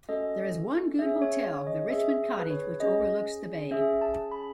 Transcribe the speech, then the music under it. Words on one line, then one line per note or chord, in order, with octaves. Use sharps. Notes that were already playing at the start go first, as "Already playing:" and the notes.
There is one good hotel, the Richmond Cottage which overlooks the bay.
A3 C#4 F#4 A4 D#5
C#4 G#4 E5
C#5
C#5
D#5
C#4 G#4 E5
B4
C#5
C#4 G#4 D#5
C#4 G#4 E5
A5
B5